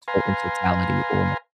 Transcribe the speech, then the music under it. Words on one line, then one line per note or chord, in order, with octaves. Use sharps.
to in totality or
B4 F5 G#5 A#5 C6